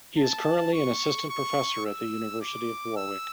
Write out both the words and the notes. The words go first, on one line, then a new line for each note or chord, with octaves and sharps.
He is currently an Assistant Professor at the University of Warwick.
A5
C#6
C#6
E6
D6
E6